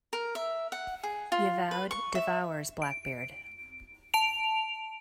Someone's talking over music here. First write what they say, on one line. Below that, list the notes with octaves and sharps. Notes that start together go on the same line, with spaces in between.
Yevaud devours Blackbeard.
A#4
E5
F#5
G#4
F4
B4
C#6
E5
D7
A5 D7 F7